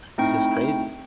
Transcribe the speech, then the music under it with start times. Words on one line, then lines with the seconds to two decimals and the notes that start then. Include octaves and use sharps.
It's just crazy.
0.18 A3 C4 D#4 E4 G5 C#6